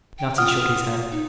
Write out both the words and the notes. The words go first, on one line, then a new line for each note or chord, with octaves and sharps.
Natty shook his head.
G5
F4 F#5 D#6 F6
D#4